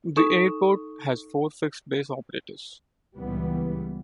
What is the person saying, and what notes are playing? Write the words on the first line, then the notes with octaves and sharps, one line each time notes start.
The airport has four fixed-base operators.
D#4 A4 C#6 D#6 E7
C#2 A#2 E3 G3 B3